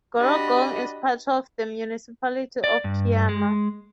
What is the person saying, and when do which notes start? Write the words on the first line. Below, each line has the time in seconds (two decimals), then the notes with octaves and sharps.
Gerringong is part of the Municipality of Kiama.
0.16 D4 F#4 G4 D#5 B5
2.64 D5
2.84 G2
3.29 G#3